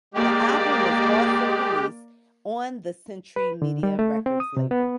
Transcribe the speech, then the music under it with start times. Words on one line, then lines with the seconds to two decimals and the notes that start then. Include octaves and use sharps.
The album was also released on the Century Media Records label.
0.14 G#3 A#3 G4 D5
3.36 B4
3.62 D3
3.83 G3
3.99 A3
4.26 C4
4.40 D#6
4.57 C3
4.71 B3